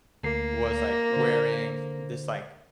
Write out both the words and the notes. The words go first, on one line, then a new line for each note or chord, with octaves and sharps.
was, like, wearing this, like,
D2 A#3 C7
D3 C5